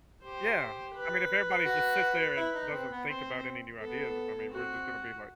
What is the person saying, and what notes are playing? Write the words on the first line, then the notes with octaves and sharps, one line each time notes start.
Yeah. I mean if everybody's just sits there and doesn't think about any new ideas, I mean, we're just gonna be like
G4 C5
B4
F#4
E4
D#4
C4
B3
C4 C5
B3 A4
B3
C4 F#4